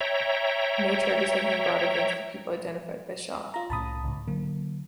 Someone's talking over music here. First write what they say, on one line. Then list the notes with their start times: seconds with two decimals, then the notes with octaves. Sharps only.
No charges have been brought against the people identified by Shaw.
0.01 C#5 E5 G5 A#5
3.54 F4 A#5
3.70 C2 A2 C#4 A5 B5 D#6
4.04 C#2 G#2
4.28 D3 F#3 A#3